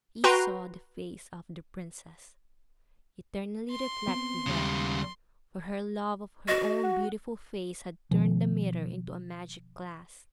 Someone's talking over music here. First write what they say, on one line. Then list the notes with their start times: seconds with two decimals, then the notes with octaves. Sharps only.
He saw the face of the princess--eternally reflected there; for her love of her own beautiful face had turned the mirror into a magic glass.
0.24 F#4 B4 G5 A#5 C6
3.71 C6
4.07 B3 C4
4.46 D#2 C#3 G3 G#3
6.48 F#4 D#5
6.83 F#5
8.11 B2 D#3 F3